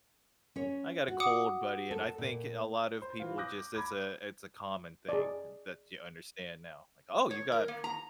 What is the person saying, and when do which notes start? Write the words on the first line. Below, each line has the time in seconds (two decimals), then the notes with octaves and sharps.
"I got a cold, buddy," and I think, eh, a lot of people just it's a it's a common thing that you understand now. Like, "Oh, you got
0.56 C#4 C#5
1.08 F#4
1.20 F#5 D6 D#6
1.91 A4
2.18 A#2
3.02 C5
3.20 E3 F4
3.38 D6 D#6 F#6 G6 A#6
3.58 D6
3.75 A#5 B5 D6 G#6
5.09 G#4 D5
7.31 C#5
7.52 A#4
7.68 A#3
7.84 A#5